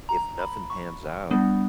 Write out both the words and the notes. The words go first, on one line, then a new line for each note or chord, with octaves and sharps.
if nothing pans out,
A#5
B5
C#6
G3 B3 D4